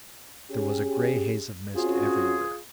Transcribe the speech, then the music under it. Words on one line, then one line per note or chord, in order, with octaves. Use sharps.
There was a gray haze of mist everywhere.
C#4 G4 G#4
C4 C#4 F4 F#4 G#4